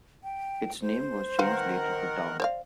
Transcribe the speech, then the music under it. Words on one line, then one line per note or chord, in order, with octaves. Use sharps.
Its name was changed later to Downe.
G5
C5
D#3 C4 A#4 B4 F5 F#5
C5 D5 F5